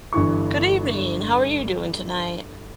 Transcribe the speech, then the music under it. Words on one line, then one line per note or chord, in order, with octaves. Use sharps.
Good evening, how are you doing tonight?
G1 G2 E3 C#6